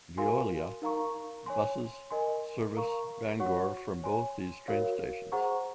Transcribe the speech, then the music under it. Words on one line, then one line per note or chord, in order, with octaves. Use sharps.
Veolia buses service Bangor from both these train stations.
F#4 A#4 F5 G#5 C6
D#4 A#4 F5 A#5 C#6
C#5 G#5 C6
A#4 D#5 G#5 C6
A#4 F5 A#5 C#6
F#4 C#5 F#5 C#6
C#5 G#5 C6
F#4 A#4 C#5 F5
G#4 C5 F#5 A#5 C#6